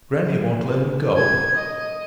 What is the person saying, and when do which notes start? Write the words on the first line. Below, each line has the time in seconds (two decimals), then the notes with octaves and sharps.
Grannie won't let him go.
1.17 G#6
1.56 D#5